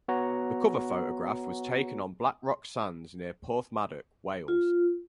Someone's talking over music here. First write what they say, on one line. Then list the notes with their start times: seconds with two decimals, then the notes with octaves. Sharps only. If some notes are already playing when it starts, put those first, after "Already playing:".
The cover photograph was taken on Black Rock Sands near Porthmadog, Wales.
0.08 B3 F#4 C#5 F#5 A#5
4.48 F4